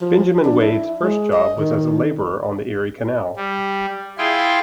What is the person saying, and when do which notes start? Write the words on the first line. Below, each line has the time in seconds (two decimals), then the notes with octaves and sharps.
Benjamin Wade's first job was as a laborer on the Erie Canal.
0.01 F3
0.43 D4
0.60 E4
1.02 G#3
1.32 D#5
1.58 D#3
3.36 G3
4.18 E4 F4 G#4 G5 C6